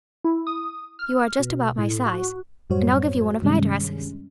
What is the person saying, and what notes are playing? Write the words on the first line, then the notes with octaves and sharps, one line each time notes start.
You are just about my size, and I'll give you one of my dresses.
E4
D#6
F6
B2
A2
F#4
F#2 A2 G3 F#4 C5 C#5
G2 C3 D#3 G3 G#3 C#4